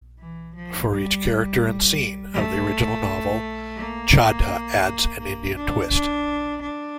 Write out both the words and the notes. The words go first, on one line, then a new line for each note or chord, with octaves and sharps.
For each character and scene of the original novel, Chadha adds an Indian twist.
E3
F3
G3
A3
A#3
A#3
D4
D4
D4